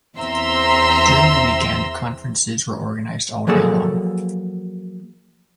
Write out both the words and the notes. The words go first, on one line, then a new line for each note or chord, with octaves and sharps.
During the weekend, conferences were organized all day long.
E2 C4 E5 A#5 C6 E6
F3 F#3 A#3 G#4 A4